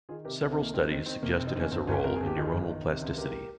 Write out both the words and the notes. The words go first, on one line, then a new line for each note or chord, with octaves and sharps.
Several studies suggest it has a role in neuronal plasticity.
D#3 F4 G#4
C3 G4 A#4
C2
C4
D#3 A#3
D#3 C4
A#3
D#3 C4
D#3 C4
F1 A#3
C4
F1
C4 D#4
D#3 A#3 C#4
G1 C4
G1 C#4 F4
F2 A#4
G1 G#4
G4
D#3 F4 G#4
G1
D#3
C3
C#2
C#2 G4 A#4